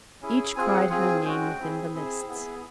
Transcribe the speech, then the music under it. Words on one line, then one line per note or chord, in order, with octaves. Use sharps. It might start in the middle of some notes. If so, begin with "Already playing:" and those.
Each cried her name within the lists.
C#4 E4 G#4
C4 F4 G#4 G#5
F#5
C4 F4 G#4 G#5
G#5
G#5
G#3 C#4 F#4 G5
C4 E4 G#4
C4 E4 G#4
B3 E4 G#4